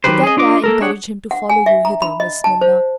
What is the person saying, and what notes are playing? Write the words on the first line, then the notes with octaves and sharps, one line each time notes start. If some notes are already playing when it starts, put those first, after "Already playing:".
"But then why encourage him to follow you hither, Miss Milner?"
D#3 F#3 G4 B4 C5
G#4 D#5
D4 F4 D#5 D6
A#3 A4 A#4
D4 G#4 C#5 F#5
F#5
G#5
E5
A#5
B5
D#5
A5
C5